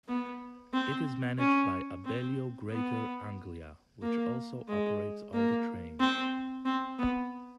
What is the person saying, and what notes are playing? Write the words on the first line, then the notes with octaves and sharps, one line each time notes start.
It is managed by Abellio Greater Anglia, which also operates all the trains.
B3
C4
C#4
C4
B3
A#3
G#3
A#3
C4
C4
B3